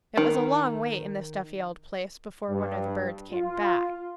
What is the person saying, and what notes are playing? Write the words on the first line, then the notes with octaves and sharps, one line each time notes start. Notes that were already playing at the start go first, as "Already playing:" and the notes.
It was a long wait in the stuffy old place before one of the birds came back.
D#3
G2
F4